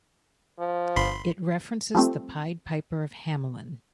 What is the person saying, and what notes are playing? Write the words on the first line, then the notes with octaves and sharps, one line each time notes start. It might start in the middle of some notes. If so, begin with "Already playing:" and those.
It references the Pied Piper of Hamelin.
F3
G1 B5 C6
F3 G3 A3 C4